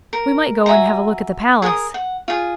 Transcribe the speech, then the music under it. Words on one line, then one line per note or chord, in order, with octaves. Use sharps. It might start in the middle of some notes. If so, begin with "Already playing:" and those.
'We might go and have a look at the Palace.'
A#4
F#4 E5 G#5 A#5
G#4 A#4 A#5 D#6
F#5
F4 G#4